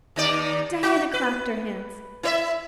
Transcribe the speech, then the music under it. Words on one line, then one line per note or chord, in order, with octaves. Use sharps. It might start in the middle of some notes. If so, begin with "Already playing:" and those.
Diana clapped her hands.
D#2 D#4 D5
F#4
B4
E4 C#5 E5